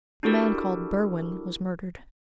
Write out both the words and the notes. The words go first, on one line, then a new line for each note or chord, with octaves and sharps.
"The man called Berwin was murdered."
D4 E4 F#4 G4 A4 A#4